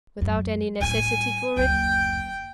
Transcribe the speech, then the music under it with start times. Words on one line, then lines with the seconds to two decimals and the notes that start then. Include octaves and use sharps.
"Without any necessity for it?"
0.21 F#2
0.81 A2 G3 G#5
1.56 F#1 D2 G5